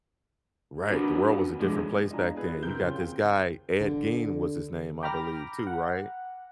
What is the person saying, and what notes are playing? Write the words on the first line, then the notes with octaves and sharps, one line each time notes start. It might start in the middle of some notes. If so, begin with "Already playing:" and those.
Right. The world was a different place back then. You got this guy, Ed Gein was his name, I believe, too, right?
B3 C#4 D4 F#4 A#4
B2 D3 F3 G#3
D4 F4 D#5 G#5 A#5
B3 E4 G#4 B4
D2 C3 C4 A#4 G6 G7
C#2 F4 C#5 G5 C6
C5 G5
D3
G5 A#5 B5 D6 F6 A#6
F#5